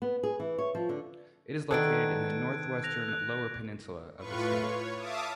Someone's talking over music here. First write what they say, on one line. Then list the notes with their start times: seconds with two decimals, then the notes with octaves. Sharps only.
It is located in the northwestern Lower Peninsula of the state.
0.02 B3
0.23 G#4
0.40 E3
0.58 C#5
0.75 F3
0.89 D3
1.71 D#3 B3 D4 A4 F#6 G#6 D7
2.83 F#6 A#6 F7
3.08 F#6
4.17 A2 F4 B4 C#6
4.61 C#5
4.97 E5 F5 A5 D6 D#6